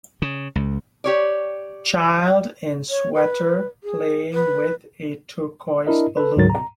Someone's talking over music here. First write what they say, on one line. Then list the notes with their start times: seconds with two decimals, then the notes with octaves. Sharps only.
Child in sweater playing with a turquoise balloon.
0.22 C#3
0.56 C#2
1.04 G4 C#5 D5
2.89 C#5
3.14 B4
3.83 G#4
4.33 B4
5.87 D4 E4 A#4 D#5
6.17 A4 B4
6.36 D2 G#2 D3 F#3 A#4 A6
6.50 A#5